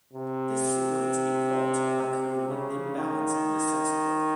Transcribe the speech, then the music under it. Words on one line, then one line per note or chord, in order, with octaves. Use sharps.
This simulates a fault by creating an imbalance in the sense coil.
C3
C3
C#3
D#3